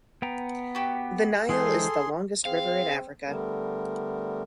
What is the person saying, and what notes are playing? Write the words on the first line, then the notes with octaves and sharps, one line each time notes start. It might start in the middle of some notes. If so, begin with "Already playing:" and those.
The Nile is the longest river in Africa.
B3 G5 A#5
F#4 G4
E3 G#3 G#4 A4 C5 C6
C4 G#4 F5
D3 G3 A3 B3 A#4